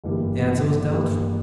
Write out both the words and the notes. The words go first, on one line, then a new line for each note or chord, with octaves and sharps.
The answer was doubtful.
G1 G2 E3 G3 A#3
G1 G2 E3 G3 A#3